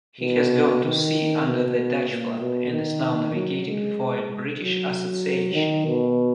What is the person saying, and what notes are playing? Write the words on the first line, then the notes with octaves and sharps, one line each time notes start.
He has gone to sea under the Dutch flag and is now navigating for a British Association.
B2
D#3
B2
A#2
B2
D#3
F#3
G#3
F#3
D#3
B2